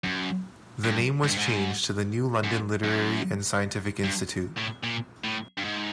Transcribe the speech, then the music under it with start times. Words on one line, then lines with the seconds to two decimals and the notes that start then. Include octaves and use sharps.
The name was changed to the New London Literary and Scientific Institute.
0.04 F#2
0.84 G2
1.24 G#2
1.31 G2
1.38 G#2
2.44 F#2
2.84 F#2
4.04 G2
4.58 A2
4.84 A#2
5.24 A2
5.58 G2
5.64 G#2